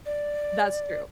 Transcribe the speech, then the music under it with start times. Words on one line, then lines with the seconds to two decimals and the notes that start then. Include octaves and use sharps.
That's true.
0.06 D5